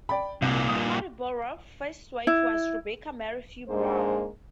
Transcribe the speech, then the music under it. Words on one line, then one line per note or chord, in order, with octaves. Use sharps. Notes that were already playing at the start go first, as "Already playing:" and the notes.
Marlborough's first wife was Rebecca Mary Few Brown.
D5 G5 B5
C2 G2 A#2
D#6
E4
G#2 G#3 A#3 D4 G#4 C5